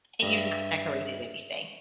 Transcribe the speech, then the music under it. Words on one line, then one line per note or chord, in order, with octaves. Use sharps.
and you've not decorated anything.
G2 D#5 E5